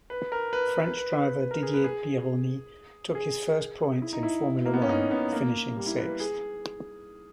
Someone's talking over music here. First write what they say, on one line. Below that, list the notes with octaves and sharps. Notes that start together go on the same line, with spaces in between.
French driver Didier Pironi took his first points in Formula One, finishing sixth.
B4
A#4
B4
B4
B4
B4
A#4
G#4
B4
G#4
G#4
E4
D#4
E4
A#3
B3
C#4
D#4
B3
A#3
G3
E4
B4
G#4